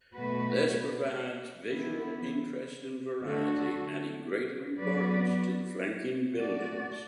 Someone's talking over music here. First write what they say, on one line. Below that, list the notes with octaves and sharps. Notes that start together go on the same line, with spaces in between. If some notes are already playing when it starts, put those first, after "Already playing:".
This provides visual interest and variety, adding greater importance to the flanking buildings.
B2 A3 F#4 B4
E3 B3 E4
D3 A3 D4 F#4 A4
F#3 B3 F#4 B4 D5
A3 F#4 D5